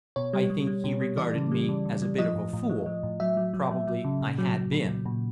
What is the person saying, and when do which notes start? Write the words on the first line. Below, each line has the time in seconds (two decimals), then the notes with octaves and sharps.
I think he regarded me as a bit of a fool. Probably I had been.
0.16 B2 C#5
0.33 G3
0.50 G3
0.67 G3
0.84 B2
1.01 G3
1.17 E3 D5
1.35 C#3
1.52 G3
1.69 C#3
1.85 C#3
2.02 G3
2.18 F3 D#5
2.36 A2
2.53 A2
2.70 F3
2.86 F3
3.03 A2
3.20 F#3 E5
3.37 F#3
3.54 F#3
3.71 F#3
3.87 F#3
4.05 C#3
4.21 A#2
4.38 F#3
4.56 F#3
4.72 A#2
4.89 F#3
5.06 A#2